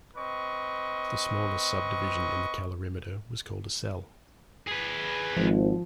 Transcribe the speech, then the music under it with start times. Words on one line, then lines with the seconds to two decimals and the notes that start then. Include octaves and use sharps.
The smallest subdivision in the calorimeter was called a cell.
0.16 C4 B4 D#5 C#6
4.68 G#4 B4
5.37 G#1 F3